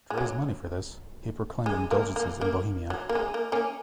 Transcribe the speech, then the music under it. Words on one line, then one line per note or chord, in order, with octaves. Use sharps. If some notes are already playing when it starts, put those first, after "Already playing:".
To raise money for this, he proclaimed indulgences in Bohemia.
G#3
F#3
G#3
A#3
A#3
A#3
F#3
A#3
G#3
A#3
A#3 C#4